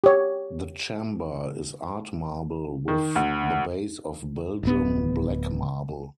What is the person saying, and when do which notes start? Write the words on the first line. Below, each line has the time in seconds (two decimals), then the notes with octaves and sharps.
The Chamber is art marble with the base of Belgium black marble.
0.04 G4 C#5
2.88 D#3
3.16 D2
4.63 D1 B3